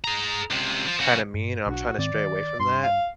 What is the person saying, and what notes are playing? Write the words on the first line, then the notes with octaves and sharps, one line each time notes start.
kinda mean, and I'm trying to stray away from that.
G#4 A#5
C#2 C3
F3
C#3 F#4
G2
B1 D4 F#4
G#2 D#3 C4 D5
D#3
G2 C6
F5